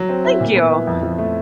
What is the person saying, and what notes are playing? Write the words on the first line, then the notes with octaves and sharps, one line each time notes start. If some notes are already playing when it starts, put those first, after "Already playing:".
Thank you!
Already playing: F#3
C4
E4
A#2
B3
E4
F2
F3
A3